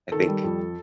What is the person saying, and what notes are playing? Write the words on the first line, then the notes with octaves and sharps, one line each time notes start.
I think,
D#3 A4
G3
F2